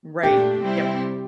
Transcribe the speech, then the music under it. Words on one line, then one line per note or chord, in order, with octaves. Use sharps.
Right. Yep.
A#2 A3 D4 G4
C3 G3 C4 E4